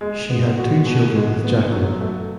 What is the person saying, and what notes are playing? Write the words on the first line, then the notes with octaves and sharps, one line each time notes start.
She had two children with Jackman.
G#3
B3
F#4
B2
G#3
B3
F#3
A3